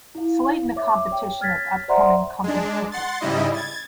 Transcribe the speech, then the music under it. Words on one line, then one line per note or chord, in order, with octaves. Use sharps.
Slate in a competition at the upcoming company picnic.
E4 F5
C#5 E5 D6
C#5 G5
C#5 F6 G#6 A6 B6
C5 D5 E5 F#5 A#5 C6
G#3 D4
F#5 C6 A6
G#2 C#3 G3 E4 D#5
G#6 A6